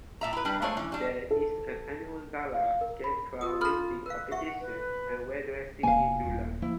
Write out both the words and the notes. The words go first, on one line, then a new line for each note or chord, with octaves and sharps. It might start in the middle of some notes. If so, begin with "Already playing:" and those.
There is an annual gala, scarecrow building competition and well dressing in July.
A2 E5 A#5
E4 B4
G3 D4 A#4 B4
G#3 A3 D4 F4 C5 C#5
E3 C#4
G3 D4
A4
F5
A#4
B5
F4 A#4 D#6
A4 A#5 B5 F6
A#4 B4 F5
G4 E5 F#5 C#6
B4
E1 C3 A#3 F5 G#5
D#1
F3 A#3 E4